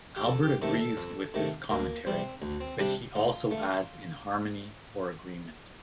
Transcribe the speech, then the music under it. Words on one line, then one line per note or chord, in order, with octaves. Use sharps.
Albert agrees with this commentary but he also adds in harmony or agreement.
G4
F2 A4
G4
C3 D#3 A3 A4
A4
F2
C3 D#3 A3
D2 A#3
C3 G3 C4
D2
C4
C3 G3 D4
A2 F4
A3